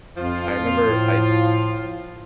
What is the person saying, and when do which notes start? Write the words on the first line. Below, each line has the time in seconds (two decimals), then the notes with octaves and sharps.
I remember I
0.16 F2 F3 F4
0.81 A2